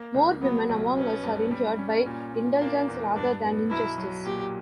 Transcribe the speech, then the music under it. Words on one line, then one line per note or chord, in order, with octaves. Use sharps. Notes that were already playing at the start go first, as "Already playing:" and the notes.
More women among us are injured by indulgence rather than injustice.
Already playing: A#3
C#2
F#3 B3
B1
B3 C#4
G2
G3
C#4
A#2
A#2
A#3 D4
E2
G2 D4
B3
B1 E4
F#3
A#2 G4